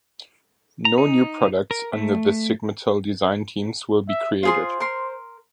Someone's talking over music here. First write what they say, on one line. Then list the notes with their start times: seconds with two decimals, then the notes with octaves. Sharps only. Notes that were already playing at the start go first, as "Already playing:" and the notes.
No new products under the Sigmatel design teams will be created.
0.85 A#5
0.98 D#4
1.71 A#4
1.93 A3
4.09 E5
4.43 F4 G#4 C5 C6
4.80 A#4 C6